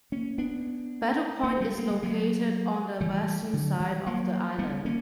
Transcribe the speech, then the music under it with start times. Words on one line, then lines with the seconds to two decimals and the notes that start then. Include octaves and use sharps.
Battle Point is located on the western side of the island.
0.12 A#3 C#4
0.38 B3 D4
1.43 A#3 C#4
1.61 G3 B3
1.78 A#3
1.91 G3
2.03 F#3 A#3
3.01 E3 G3
3.53 D3 F#3
3.80 E3 G3
4.07 F#3 A#3
4.59 G3 B3
4.85 A#3 C#4